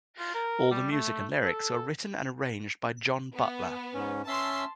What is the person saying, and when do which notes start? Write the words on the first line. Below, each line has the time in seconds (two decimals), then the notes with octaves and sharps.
All the music and lyrics were written and arranged by John Butler.
0.19 F4
0.34 A#4
0.71 G3
0.91 A3
1.43 A4
3.36 B3
3.94 G#2 C#4
4.28 C#4 E5 A5 C6 E6